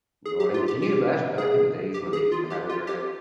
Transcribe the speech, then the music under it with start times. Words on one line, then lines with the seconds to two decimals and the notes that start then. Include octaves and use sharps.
you know what I mean? Can you imagine back in the days when they didn't have Internet?
0.25 G#4
0.40 G4
0.54 F4
0.68 G4
0.82 G4
1.38 G#4
1.94 G4
2.13 G#4
2.32 F4
2.50 G4
2.69 F4
2.87 G4